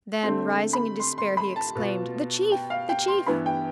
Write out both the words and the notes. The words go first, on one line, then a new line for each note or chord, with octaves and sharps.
Then rising in despair, he exclaimed, "The chief, the chief!"
D3 A3 C4 C6
B5
C6
C6
B5
A5
B2 B3 F4
G5
F5
G5
C6
G2 E3 B3 E4 B5
G5